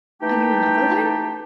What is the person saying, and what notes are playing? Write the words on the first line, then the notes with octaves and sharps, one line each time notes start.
"Are you in love with her?"
E3 A3 D#4 G4 G5 A5